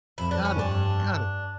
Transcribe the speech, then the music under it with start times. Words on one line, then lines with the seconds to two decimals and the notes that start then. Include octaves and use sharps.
Got it, got it.
0.18 F2 E4
0.31 D4
0.45 C#4
0.51 G2
0.59 D4